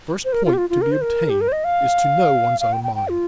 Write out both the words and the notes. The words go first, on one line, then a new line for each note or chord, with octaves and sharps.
The first point to be obtained is to know one's own mind.
C5
A#4
F4
G4
F4
F4
A#4
C5
A#4
G4
A#4
C5
D#5
F5
F5
G5
G5
G5
F4